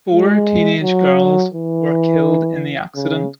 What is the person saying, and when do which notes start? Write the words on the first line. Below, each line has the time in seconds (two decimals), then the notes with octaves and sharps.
Four teenage girls were killed in the accident.
0.11 G#3
0.83 F#3
1.54 E3
2.96 C#3